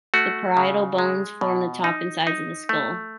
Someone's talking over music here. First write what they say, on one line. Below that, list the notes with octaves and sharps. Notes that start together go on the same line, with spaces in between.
The parietal bones form the top and sides of the skull.
A3 F#4
C#3
G#3
B2
D#4
D#4
A3